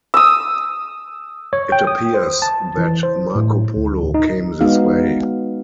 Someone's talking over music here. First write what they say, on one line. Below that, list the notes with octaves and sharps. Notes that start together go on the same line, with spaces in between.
It appears that Marco Polo came this way.
D#6 E6
C#5
G5
D#6
C5
A5
E3
C5
A2
D2
D#4
G#3 B3 D#4 F#4 F5